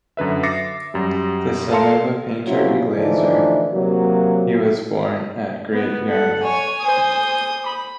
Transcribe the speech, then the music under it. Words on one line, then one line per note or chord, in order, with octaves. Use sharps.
The son of a painter and glazier, he was born at Great Yarmouth.
F#2 D3 B4 E5
E5 D6 A6 A#6 C7 C#7
F#2 G3
A4 A#4 F5 A5 C6 C#7
C3 F#3 C#4 E4 F4
D3 E3 F3 A3 D4 D#4
C3 F#3 A#3
B3
A4 F#5
C#5 G#5
C5 D#6
B5